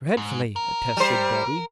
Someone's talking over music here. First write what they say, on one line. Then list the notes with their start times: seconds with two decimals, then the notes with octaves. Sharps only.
"Dreadfully," attested Betty.
0.17 G#2
0.56 A#4
0.97 G3 C5